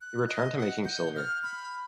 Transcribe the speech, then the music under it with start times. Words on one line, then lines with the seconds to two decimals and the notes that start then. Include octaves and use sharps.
He returned to making silver.
0.01 F#6
0.28 D#5
0.59 F#5
0.85 G6
1.16 F6
1.43 B5